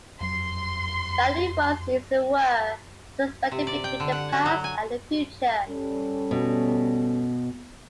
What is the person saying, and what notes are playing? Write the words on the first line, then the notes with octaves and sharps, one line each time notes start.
Value was, as it were, suspended between the past and the future.
F2 F#3 C6
C3
D5
G5
D3
F#5
F#4
F#3
G#5
G3 C#4 A4
B2